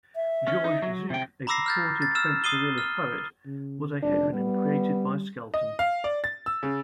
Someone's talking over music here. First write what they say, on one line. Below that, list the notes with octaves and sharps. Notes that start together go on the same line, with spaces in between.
Georges Zuk, a purported French surrealist poet, was a heteronym created by Skelton.
E5
C#4
D#4
F#3
C3 G5
A#5 B5 D6 E6 A#6 C7
F6 G6 A6
A6
E6 F6 E7
D#6 C7 D#7 G7
F6
C#3
F1 D4
G3 B3
D#5
F5
D5
A6
E6
C#3